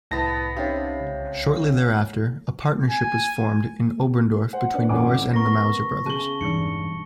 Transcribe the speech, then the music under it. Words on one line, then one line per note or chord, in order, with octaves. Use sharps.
Shortly thereafter, a partnership was formed in Oberndorf between Norris and the Mauser brothers.
C2 A2 B3 E4 A5 A#6 B6
C3 C#4 D#4 G4 C#5 F5
C#2
G#5
C5 F#5 G#5
C#4 D4 B4
G#1 F2 C#4 E4 C#5 F#5 G#5 D6
B3 A#4 A#5 C#6 A#6
C#3 A5 F#7 G7
E1 G2 E3 D#4 C#7